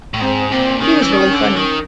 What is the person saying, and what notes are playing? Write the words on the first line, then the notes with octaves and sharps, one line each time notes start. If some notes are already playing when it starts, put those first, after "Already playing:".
He was really funny.
A2
G#2 C4
A#2 C4
D#3 C#4
E3
D#3
D3
D#3